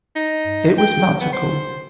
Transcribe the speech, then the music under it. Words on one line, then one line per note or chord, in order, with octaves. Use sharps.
It was magical.
D#4
G5
B3
C5